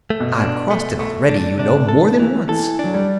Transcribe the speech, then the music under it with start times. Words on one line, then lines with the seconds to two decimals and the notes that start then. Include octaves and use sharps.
I've crossed it already, you know, more than once.
0.10 A3
0.20 B2
0.40 D4
0.70 A3
1.00 A3
1.29 D4
1.59 C3 D4
1.89 A4
2.19 E3
2.49 E3 A4
2.79 F#3 D4
2.94 G3